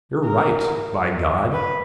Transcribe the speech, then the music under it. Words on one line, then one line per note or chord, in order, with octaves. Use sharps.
You're right, by God.
A#4
B4